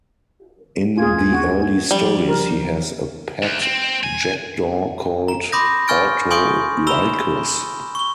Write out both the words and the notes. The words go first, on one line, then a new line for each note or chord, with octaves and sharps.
In the early stories he has a pet jackdaw called Autolycus.
D#2 C#4 F4 G#4 G#6
F#4
F3 G3
A#4
D2
C4
G#5
A#5
B5 C6 D6 D#6 G6 A#6
G#5 C#6 F6 G6 A6 D7
G#5 C6 C#6 D#6 G6 D7
A#5 B5 E6 E7 F7 G7
C#6 G7